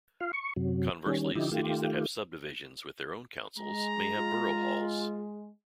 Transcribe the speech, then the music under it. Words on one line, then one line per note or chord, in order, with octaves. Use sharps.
Conversely, cities that have subdivisions with their own councils may have borough halls.
F4 F5
C#6
F#2 C3 F#3
D#3 G3 C#4
D3 F3 D#4 E4 G4
D#3 A3 F4 G4
G#3 A#5
F4